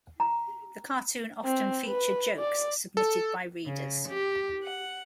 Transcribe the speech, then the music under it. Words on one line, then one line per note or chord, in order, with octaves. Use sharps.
The cartoon often featured jokes submitted by readers.
A#5
C4
B4
D5
A4
C#3
G4
F#5